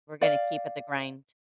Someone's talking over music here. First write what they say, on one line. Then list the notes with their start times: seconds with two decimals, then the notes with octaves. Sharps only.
we're gonna keep at the grind.
0.21 D5 F5